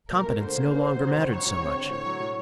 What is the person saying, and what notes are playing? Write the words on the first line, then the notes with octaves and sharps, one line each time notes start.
Competence no longer mattered so much.
A#2 A#4
A3
D3 C5
A#3
D3
D3
F#3
C#2
G#2 C#5
G#2
C4
D3
A2 C#5
F#3
A2